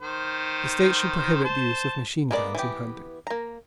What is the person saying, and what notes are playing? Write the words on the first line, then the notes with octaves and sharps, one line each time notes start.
The state should prohibit the use of machine guns in hunting.
D#3 C5
C5 A5
G#3 A#3 B3 A4 D5
E3 B3 G4
A#3 A#5